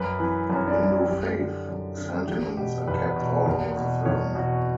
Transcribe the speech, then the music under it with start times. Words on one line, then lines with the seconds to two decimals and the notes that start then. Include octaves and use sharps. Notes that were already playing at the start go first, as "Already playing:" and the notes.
Hindu faith sentiments are kept all over the film.
Already playing: F#2 B4
0.19 E3 B4
0.50 F#2
0.55 C#4
0.67 D4
0.79 E3 E4
1.09 F#2 G4
1.38 D3
1.69 F#2
1.98 D3
2.27 E2 G4
2.57 B2 G4
2.87 E2 B4
3.16 B2
3.46 E2
3.77 B2
4.05 E2 C#5
4.35 B2 F#4